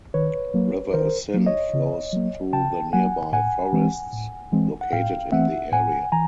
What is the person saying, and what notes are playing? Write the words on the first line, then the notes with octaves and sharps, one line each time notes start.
River Sind flows through the nearby forests located in the area.
D#3 B4 C#5
F#3 A#3
D#3 A#4 C5
F#3 A#3
C#5 D#5
C#3
F#3 A#3
C#3 G5 A5
F#3 A#3 F#5 G#5
A2 F#5 G#5
E3 G#3 C4
A2
E3 G#3 C4
F#5
A2 F5 G5
E3 A3 C4 E5 F#5
A2 F#5 G#5
E3 G#5 A#5